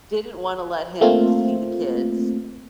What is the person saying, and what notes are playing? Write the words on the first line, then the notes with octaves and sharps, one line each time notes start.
didn't want to let him see the kids,
A3 A#3 C4 F4